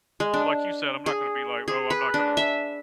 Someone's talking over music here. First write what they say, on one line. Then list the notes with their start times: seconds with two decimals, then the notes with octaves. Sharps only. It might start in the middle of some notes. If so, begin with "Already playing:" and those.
but like you said, I'm not gonna be like, "Oh, I'm not gonna
0.20 G#3
0.34 D4
1.06 G#4
1.68 G#4
1.90 B4
2.14 D4
2.37 E5